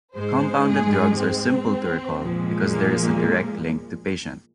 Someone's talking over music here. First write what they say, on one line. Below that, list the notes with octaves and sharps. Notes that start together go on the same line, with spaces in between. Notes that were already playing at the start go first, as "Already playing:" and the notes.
Compounded drugs are simple to recall because there is a direct link to patient.
G#2 G#3 C5
G#4
C4
A#2 F3 G#3
A#3